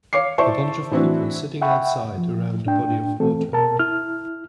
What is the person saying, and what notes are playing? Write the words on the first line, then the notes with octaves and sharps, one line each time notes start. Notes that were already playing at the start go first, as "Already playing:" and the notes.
A bunch of people sitting outside around a body of water.
C#5 F5 D6 C7
E4 C5 D5 E5 A5 C#6
A2 E3 C4 D4 E4 F#4
E5 F#5 G5 B5 C#6
F3
A2 D4 G5
E3 A3 C4 A4
B2 A#4 A5
E4 F6